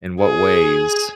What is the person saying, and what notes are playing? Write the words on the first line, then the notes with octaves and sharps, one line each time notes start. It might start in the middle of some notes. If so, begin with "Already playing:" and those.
In what ways?
G#4